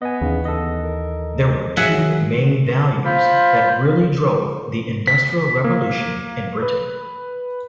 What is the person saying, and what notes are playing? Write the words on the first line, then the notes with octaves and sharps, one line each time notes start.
There were two main values that really drove the Industrial Revolution in Britain.
B3 D#5 G#5
D#2 C#3 E3
A4 D#5
A#4
F#3 G#4 E5 F#5
F4 C5 B5
B6
A#3
B4